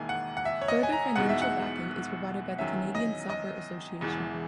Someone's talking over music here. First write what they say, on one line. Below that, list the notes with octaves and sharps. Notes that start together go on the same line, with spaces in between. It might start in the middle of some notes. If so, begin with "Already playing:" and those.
Further financial backing is provided by the Canadian Soccer Association.
Already playing: E1 D#2 D#3 A#3 E4 G#5
F#5
F#5
E5
C#5
D#5
G#5
A#5
E1 E2 B2 G#3 D#4 F#5
E5
F#5
E2 D#3 F#3 C#4 E5
D#5
D#5
E1 E2 C#3 E3